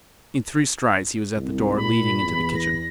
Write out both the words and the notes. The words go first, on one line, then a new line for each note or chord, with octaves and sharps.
In three strides he was at the door leading into the kitchen.
C2
A#2 B5
E2
A#6